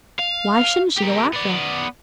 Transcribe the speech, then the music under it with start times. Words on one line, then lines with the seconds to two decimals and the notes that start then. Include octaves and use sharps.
Why shouldn't she go, after all?
0.19 F5
0.98 G4 A#4
1.33 B3 D5